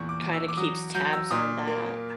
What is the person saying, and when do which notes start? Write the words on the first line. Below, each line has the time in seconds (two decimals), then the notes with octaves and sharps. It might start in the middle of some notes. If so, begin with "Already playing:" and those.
kinda keeps tabs on that.
Already playing: E2 A#2 C#6
0.09 D6
0.21 E2
0.33 E6
0.48 D6
0.57 F#3 D#6
0.95 F#3 G6
1.13 E6
1.31 A#2 D#6
1.67 A#3